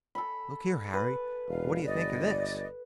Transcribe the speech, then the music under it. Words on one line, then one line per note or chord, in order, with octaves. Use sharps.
"Look here, Harry; what d'ye think of this?"
A4 B5
B4
E1 F5
G1 D5 D#5